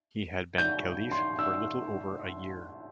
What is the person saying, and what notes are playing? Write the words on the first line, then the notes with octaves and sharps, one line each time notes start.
He had been Caliph for little over a year.
G6
C6
E6